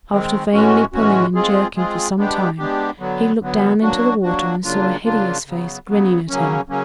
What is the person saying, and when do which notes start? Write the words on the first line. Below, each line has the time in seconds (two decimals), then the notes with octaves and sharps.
After vainly pulling and jerking for some time, he looked down into the water and saw a hideous face grinning at him.
0.11 D#3 G#3 C4
0.52 A2 E3 G#3 C#4 F#4
0.93 A2 E3 G#3 C#4 F#4
1.34 G#3 C4 F4 G#4
1.76 G#3 C4 F4 G#4
2.17 G#3 B3 D4 G4
2.58 G#3 B3 D4 G4
2.99 D3 F#3 B3
3.40 D3 F#3 B3
3.82 F#3 A#3 D4 F#4
4.23 F#3 A#3 D4 F#4
4.64 C#3 F#3 A#3 D4 F4
5.04 C#3 F#3 A#3 D4 F4
5.45 C#3 F#3 B3
5.87 C#3 F#3 B3
6.28 C#3 F#3 A#3 C#4
6.69 C#3 F#3 A#3 C#4